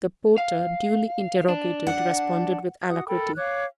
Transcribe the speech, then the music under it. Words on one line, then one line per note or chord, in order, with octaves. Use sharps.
The porter, duly interrogated, responded with alacrity.
F5
D4
F#5
F#4 F#5 D#6
A4 A#4 G5 B5
C#5 F5 D6 F#6